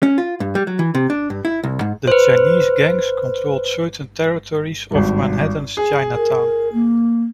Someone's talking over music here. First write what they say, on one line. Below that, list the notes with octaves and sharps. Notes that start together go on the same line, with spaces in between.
The Chinese gangs controlled certain territories of Manhattan's Chinatown.
C#4
F4
G2
G3
F#3
E3
C3
D4
G2
E4
C2
G#2
B4 C5
G#1 G2
G#4
A#4
A#3